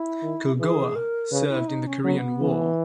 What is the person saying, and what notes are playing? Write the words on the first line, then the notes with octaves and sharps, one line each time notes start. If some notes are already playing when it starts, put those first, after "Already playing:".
"Culgoa" served in the Korean War.
Already playing: E4
D#3
E3 G#4
A#4
C#3 B4
E4
D#4
C#4
F#3 B3
E3